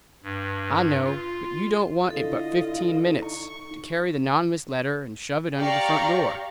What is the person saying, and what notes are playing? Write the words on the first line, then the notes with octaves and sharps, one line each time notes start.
"I know; but you don't want it but fifteen minutes, to carry the nonnamous letter and shove it under the front door."
G2
F4
D3 E4 F4 A4 D#5
D#4 C#6
G4 D5 F5 A#5 C#6